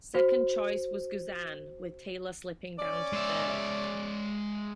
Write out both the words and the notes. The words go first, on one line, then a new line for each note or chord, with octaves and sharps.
Second choice was Guzan with Taylor slipping down to third.
F#4 C5
C#4 D5
G#3 E5